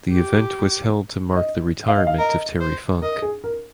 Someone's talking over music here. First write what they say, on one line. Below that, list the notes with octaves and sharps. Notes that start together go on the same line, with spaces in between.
The event was held to mark the retirement of Terry Funk.
G4
D#5
F5
D#5
F5
A#4 D#5
C5
A#4 D#5
G#4
A#4